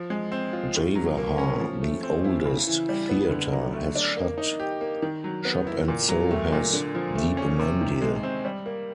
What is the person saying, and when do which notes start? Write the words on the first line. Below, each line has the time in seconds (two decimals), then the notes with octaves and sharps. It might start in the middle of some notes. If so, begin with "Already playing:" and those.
Jawahar, the oldest theatre has shut shop and so has Deepmandir.
Already playing: F3
0.10 G#3
0.32 C4
0.53 F4
0.75 A2
0.95 F#3
1.17 A#3
1.38 C#4
1.59 F3
1.82 A3
2.03 C4
2.24 E4
2.45 C#3
2.67 E3
2.89 G3
3.09 B3
3.31 D3
3.52 F#3
3.73 A3
3.95 D4
4.17 A#3
4.38 D#4
4.60 G4
4.81 A#3
5.02 D#3
5.24 F#3
5.45 B3
5.67 E4
5.88 A#2
6.09 F#3
6.31 A3
6.52 A#2
6.73 D3
6.95 F3
7.15 A3
7.37 C#4
7.59 C3
7.81 D#3
8.02 G#3
8.23 C4
8.45 G3
8.66 A#3